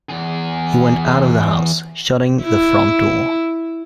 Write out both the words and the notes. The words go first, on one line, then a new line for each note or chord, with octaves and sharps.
He went out of the house, shutting the front door.
E2 G#4
E4